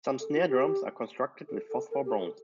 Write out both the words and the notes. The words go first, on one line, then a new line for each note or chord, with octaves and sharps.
Some snare drums are constructed with phosphor bronze.
A4
F4
G4
A4
A4
A#4
G4
A4